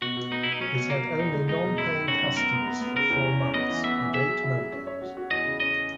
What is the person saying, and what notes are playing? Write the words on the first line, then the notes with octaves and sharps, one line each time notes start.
It had only non-paying customers for four months and eight modems.
B2 F#4
B2
B3 D#4
B2 E4
D#4
F#3 C#4
B2
B2 A#3
B2
E2 D#4
G#3
G#3 D#4
B2
F#2 E4
D#3
C#4 F#4
F#2
B3 A#4
B3
B3
B3
C#3 A#4
E2
C#4
C#4
B3 D#5
E3
B3 E5
E3
G#4 E5
F#3
E4
F#3
C#4
C#5
F#4
F#4
E2 D#5
C#3
C#4 D#5